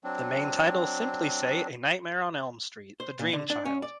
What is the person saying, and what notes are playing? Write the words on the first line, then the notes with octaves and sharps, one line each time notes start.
The main titles simply say "A Nightmare on Elm Street: The Dream Child".
F#3 C4 D4
C5
A#2
D3
D4
C#4
D5